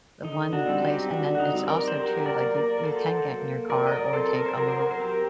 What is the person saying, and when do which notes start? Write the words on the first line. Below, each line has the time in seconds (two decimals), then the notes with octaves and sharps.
the one place and then it's also too, like you you can get in your car, or take a little,
0.24 D3 D#4
0.53 D4 F#4
0.67 G3 C4
0.82 D#4 G4
1.10 D3 D4 F#4
1.35 F#4
1.40 D#4
1.54 G3 C4
1.68 A#4 D5
1.88 C5
1.97 F#3 G4 A#4
2.26 A#4 D5
2.41 A#3
2.55 A#4 D5
2.78 A#4
2.83 F#3 A4 C5
3.27 A#3
3.70 F#3 A#4 D5
3.87 D#5
3.92 A#4 D5
4.13 C4 A4 C5
4.35 A#4
4.46 C5
4.56 F#3 A#4
4.68 C5
4.79 A#4
4.91 C5
5.00 C4 G4 A#4